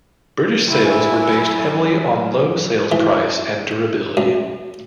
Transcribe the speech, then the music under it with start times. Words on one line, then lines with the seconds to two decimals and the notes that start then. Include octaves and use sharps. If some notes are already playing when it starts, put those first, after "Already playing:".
British sales were based heavily on low sales price and durability.
0.68 C#2 E4
0.84 F#2 G#5
2.92 E3
4.17 F#2